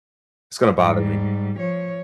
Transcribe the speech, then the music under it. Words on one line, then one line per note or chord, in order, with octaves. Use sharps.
It's gonna bother me.
G#2 G3
F3 C#5